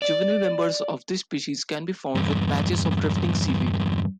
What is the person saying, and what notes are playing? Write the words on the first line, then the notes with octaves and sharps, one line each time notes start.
Juvenile members of this species can be found with patches of drifting seaweed.
D5
E2 G2